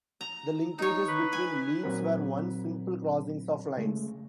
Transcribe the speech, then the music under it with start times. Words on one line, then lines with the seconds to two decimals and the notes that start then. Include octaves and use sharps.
The linkages between leads were once simple crossings of lines.
0.21 A#5
0.79 D#4 C#5
1.08 B4
1.33 G#5
1.84 A#2 F#3 C4 A#4
3.77 C#3 G#3 A3